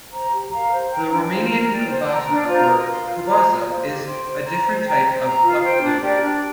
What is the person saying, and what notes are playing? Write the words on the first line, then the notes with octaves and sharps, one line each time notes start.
The Romanian kobza or cobza is a different type of plucked lute.
C5 A#5
G4
A#4 F5 A#5
C5
G5 A#5
D4
F4 C5 G5
A#4
D5 G5
C5
G5 A#5
D4
F4 C5 A#5
A#4
F5 C6
F4
C5 A#5
F4
C5 F5
G4
C5 G5 C6
C5
A#5
C5
G5 A#5
C5
A#5
F4
C5 G5
D4
G4 A#4 D5
D4